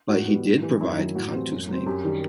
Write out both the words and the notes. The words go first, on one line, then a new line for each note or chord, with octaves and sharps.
But he did provide Cantu's name.
A2 F#4
G3 B3
A2
E3 G3 B3
F#2 E4
D#3 F#3
A2 F#4
E3 G3 C4
F#2
F#3 C4
F#2 G4
D#3 G3